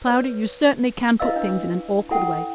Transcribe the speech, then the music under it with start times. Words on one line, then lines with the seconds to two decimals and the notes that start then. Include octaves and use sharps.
Cloudy, you certainly can put things in an awkward way.
0.07 B4 C#5
1.20 E4 B4 D#5 F5 E6
1.36 D4
2.11 E4 A4 F#5 G5